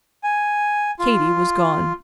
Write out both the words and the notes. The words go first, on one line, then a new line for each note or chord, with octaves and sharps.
Katy was gone.
G#5
F4